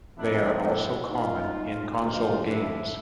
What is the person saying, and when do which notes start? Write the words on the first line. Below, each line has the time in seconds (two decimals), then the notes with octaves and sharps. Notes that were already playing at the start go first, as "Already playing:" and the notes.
They are also common in console games.
0.17 F2 C3 D#3 D4 E4
0.63 D4 E4
1.09 D#4 F4
2.01 D2 C#3 F3 D#4 F4
2.47 D4 E4